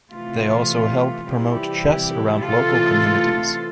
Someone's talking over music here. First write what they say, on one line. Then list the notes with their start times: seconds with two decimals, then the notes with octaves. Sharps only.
They also help promote chess around local communities.
0.13 C3 E3 A3 F4
1.29 C3 E3 G3 E4 G4
2.44 C3 E3 A3 F4 A4